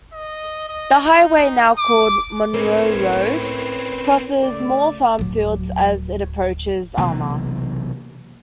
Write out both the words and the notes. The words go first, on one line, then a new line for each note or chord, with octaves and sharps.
The highway, now called Monroe Road crosses more farm fields as it approaches Alma.
D#5
D#5
D#4
D6
A2 C4 C#4 A#4 B4 C#5
C#3 A3 D5
D1 F#3
B1 C3 E3 A#3